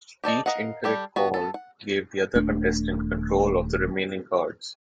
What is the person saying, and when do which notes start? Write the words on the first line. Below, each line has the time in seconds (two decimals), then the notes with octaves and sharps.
Each incorrect call gave the other contestant control of the remaining cards.
0.24 G4 A4 D5 D#5
0.46 A#4 D#5 F5 F#5
0.84 G3 G4 A4
1.16 B3 F#4
1.34 B3 A4
1.54 F#5
2.35 D#1 A3 D4